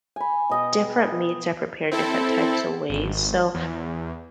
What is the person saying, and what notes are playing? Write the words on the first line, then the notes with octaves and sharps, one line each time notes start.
different meats are prepared different types of ways, so
G#5 B5
B2 D#5 G5
C4 E4 A4
G#1
E2